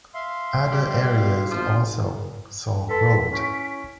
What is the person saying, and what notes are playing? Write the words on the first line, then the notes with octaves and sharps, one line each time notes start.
Other areas also saw growth.
E5 F5 C6
G3
B2
G#1 F3
A4 B4 C6 B6
C#4 E4 C#6 D7